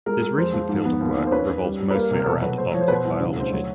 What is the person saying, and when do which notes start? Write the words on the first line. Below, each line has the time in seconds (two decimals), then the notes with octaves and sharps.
His recent field of work revolves mostly around arctic biology.
0.06 G#3 A#4
0.22 G#3
0.38 F2 C5
0.53 F3
0.69 G#2
0.85 B3
1.00 D#2
1.16 D#2
1.27 C5
1.32 C#4 B4
1.48 C#4
1.64 G3
1.80 G3
1.90 B4
1.95 A#3 A#4
2.11 C3
2.19 A#4
2.26 B2 A4
2.42 F#3 B4
2.58 A3 C5
2.74 F3 C#5
2.81 C5
2.88 B2 B4
2.95 C5
3.05 C2
3.21 C#3
3.37 D2 C5
3.52 F#3 C#5